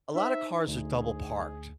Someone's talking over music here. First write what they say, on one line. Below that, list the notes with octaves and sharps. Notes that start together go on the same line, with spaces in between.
A lotta cars are double-parked.
D#4 C5 E5
D2 G#4